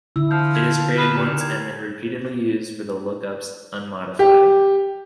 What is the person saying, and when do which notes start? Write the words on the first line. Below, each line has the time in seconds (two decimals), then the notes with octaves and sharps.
It is created once and then repeatedly used for the lookups unmodified.
0.16 D3 E4 E6
0.31 F3 F6 G6
0.55 G#6
0.98 B4 F6 C7 E7
1.15 D#2 A#5
1.41 G#6
4.19 G4